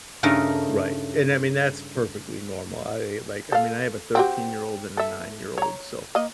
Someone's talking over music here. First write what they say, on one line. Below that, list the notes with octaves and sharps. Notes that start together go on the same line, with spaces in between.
Right, and, I mean, that's perfectly normal. I, like, I mean, I have a thirteen-year-old and a nine-year-old, so
G2 C#3 A3 D#4 A#4 A#5
A4 F5
C4 F#4 G4
A4 E5
C#5 A#5
A#3 D#5